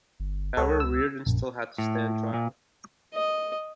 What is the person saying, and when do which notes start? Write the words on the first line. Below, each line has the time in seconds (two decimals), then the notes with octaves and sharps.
However, Reardon still had to stand trial.
0.20 G1
0.57 C#2 A4 C#5 F#5
0.80 E6
1.26 A#1 F#2
1.78 A2
2.34 A#2
3.14 D#5